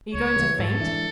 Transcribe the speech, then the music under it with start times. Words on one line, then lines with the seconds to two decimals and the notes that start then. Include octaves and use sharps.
Are you going to faint?
0.14 C#2 C#5
0.36 C#3 E3
0.59 G#2 A4
0.82 E3 G#3 D4